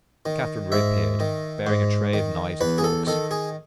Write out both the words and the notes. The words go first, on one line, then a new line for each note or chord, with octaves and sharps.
Catherine reappeared, bearing a tray of knives and forks.
D#3
G#2 E5
D#3
G#2
D#3
E2 B4
G#4
A4
D#3 A4
G#4